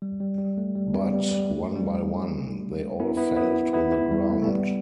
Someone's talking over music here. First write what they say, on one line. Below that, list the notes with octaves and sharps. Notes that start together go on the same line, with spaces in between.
But, one by one, they all fell to the ground.
G3
G3
G3
A3
G3
G3 B3
G3 B3
G3
A3
G3
B3 E4
B3 E4
B3 E4
B3 E4
B3 E4
G3 B3
A3
A3
G3 B3